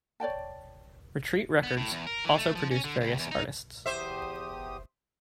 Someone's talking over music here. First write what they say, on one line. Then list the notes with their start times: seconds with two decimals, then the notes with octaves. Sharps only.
Retreat Records also produced various artists.
0.20 C#5 D5 G5 A5
1.63 B3
1.77 A2
1.92 E2
2.07 A#4
2.25 E3
2.38 A3
2.55 F3
2.71 C#4
2.84 D3
3.01 C#2
3.19 E2
3.31 D#4
3.86 E2 G4 C5 E5 D#6